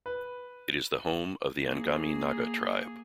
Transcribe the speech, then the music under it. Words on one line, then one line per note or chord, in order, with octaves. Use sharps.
It is the home of the Angami Naga tribe.
B4
A#3 G#4